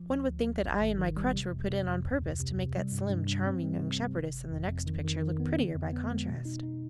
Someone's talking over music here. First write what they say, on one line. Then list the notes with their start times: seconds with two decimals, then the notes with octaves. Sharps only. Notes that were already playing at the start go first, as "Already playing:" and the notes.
'One would think that I and my crutch were put in on purpose to make that slim, charming young shepherdess in the next picture look prettier by contrast.
Already playing: F3
0.10 D2
0.28 D2
0.45 D2
0.63 G#1
0.81 G#1
0.98 D#3
1.17 G3
1.34 C3
1.52 F2
1.69 C3
1.87 F2
2.04 D2
2.22 C3
2.40 C3
2.57 C3
2.75 G3
2.92 G2
3.10 G2
3.28 G2
3.45 C4
3.63 G3
3.80 C3
3.99 C3
4.16 G1
4.34 G1
4.51 F2
4.69 F2
4.87 D#3
5.04 D#3
5.22 D#3
5.40 B3
5.57 D3
5.75 F2
5.93 B3
6.11 G#3
6.28 B2
6.45 D#4
6.63 D#4